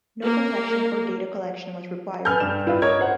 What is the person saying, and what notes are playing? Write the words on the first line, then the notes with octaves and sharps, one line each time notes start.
No compaction or data collection was required.
A#3 A#4
A4 B4 G#5 F6 G6
G2 E7
E4 F4 B4
A#4 C#5 D#5 G#6
C5 F#5